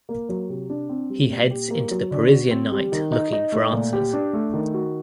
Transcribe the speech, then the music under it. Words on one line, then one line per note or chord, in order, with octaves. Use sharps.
He heads into the Parisian night looking for answers.
A#3
F#3
C3
D4
C4
G3
A#2
G4
A#3
F#3
D3
F#4
C4
G3
D#3
D#4
D#4
A3
A#2
G4
D4
A3
D#3
F#4